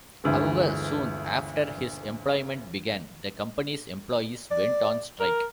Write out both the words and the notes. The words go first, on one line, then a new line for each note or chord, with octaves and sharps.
However, soon after his employment began, the company's employees went on strike.
G1 D2 D3 E3 G#3
D5
A#4